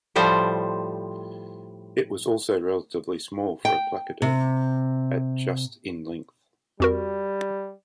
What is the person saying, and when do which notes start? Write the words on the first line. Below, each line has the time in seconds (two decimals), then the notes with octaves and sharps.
It was also relatively small for a placoderm, at just in length.
0.16 A2 F3 G3 C5
3.65 G5
4.22 C3
6.80 F2 G3 F#4 A#4